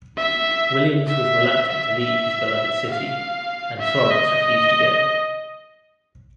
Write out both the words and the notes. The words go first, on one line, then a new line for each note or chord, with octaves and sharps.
Williams was reluctant to leave his beloved city, and Florence refused to go.
E5
E5
E5
E5
F5
E5
D#5